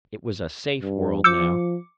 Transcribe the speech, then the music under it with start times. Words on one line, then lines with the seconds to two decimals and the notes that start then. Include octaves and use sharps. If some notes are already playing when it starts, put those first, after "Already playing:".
It was a safe world now.
0.82 G2
1.24 F3 D6 E6 G6 C#7